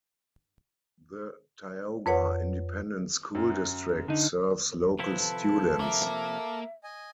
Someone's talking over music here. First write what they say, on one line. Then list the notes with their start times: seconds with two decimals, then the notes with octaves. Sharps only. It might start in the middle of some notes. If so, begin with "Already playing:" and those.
The Tioga Independent School District serves local students.
2.06 F2 B4 C#5 F#5
3.35 F#2
4.08 D3 D#4
4.99 C3 F3 E4 B4
5.18 A4
5.80 A#3 E5
6.84 D#5 G#5